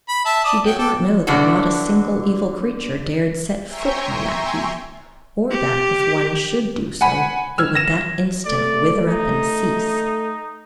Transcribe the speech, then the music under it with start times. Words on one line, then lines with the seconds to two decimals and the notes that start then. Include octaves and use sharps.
She did not know that not a single evil creature dared set foot on that heath, or that, if one should do so, it would that instant wither up and cease.
0.08 B5
0.25 E5 A5
0.45 D5 A5 D#6
0.66 F#3 G5
0.78 A4 G5 D6
1.27 G2 D3 E3 D4 F#4
3.65 E5 G5 G#5 A#5 C6 C#6
5.51 G4
7.01 F#5 G#5 B5
7.58 E6 F6 G#6
7.75 A#6 E7
8.46 A3 D5
9.08 D#4